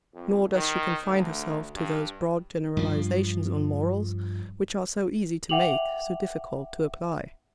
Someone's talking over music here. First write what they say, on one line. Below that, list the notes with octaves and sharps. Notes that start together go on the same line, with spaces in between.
Nor does she confine herself to those broad generalisations on morals, which are so easy to make, so difficult to apply.
F2
D#3
D2
G2
G2 F3
E5 F#5 G5 D6 F7 F#7